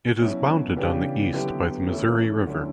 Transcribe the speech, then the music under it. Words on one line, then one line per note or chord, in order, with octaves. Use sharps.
It is bounded on the east by the Missouri River.
B2 F#3 C#4 E4
C#3 E3 B3 D4 G4
D3 F#3 B3 E4 G4
E3 A3 C#4 E4 A4
D2 D3 F#3 C#4 E4